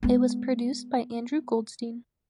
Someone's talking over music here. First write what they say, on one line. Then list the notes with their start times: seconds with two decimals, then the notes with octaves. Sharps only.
It was produced by Andrew Goldstein.
0.03 G#3 B3